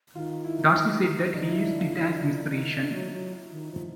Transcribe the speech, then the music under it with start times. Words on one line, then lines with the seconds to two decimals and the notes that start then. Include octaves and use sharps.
Dorsey said that he used it as inspiration.
0.14 D#3 F4
0.44 E4
1.33 D3 D#4
1.48 E4
1.63 E4
1.79 F4
1.93 E4
2.52 D#3
2.72 D3
2.92 F#3
3.11 F#3
3.51 D#3
3.72 F3